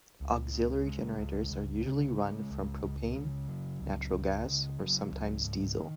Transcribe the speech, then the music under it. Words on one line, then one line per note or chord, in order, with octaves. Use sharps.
Auxiliary generators are usually run from propane, natural gas, or sometimes diesel.
C#2
C#3
G#3
C#2
C#2
C#3
G#3
C#2
C#2
C#3
F#3
C#2
C#2
C#3
F#3
C#2
G#2
D#3